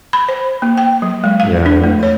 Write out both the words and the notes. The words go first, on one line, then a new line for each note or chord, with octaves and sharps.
Yeah, it is.
B5
C5
A#3
G5
F#3
G#3
F5
D4
A3
C#5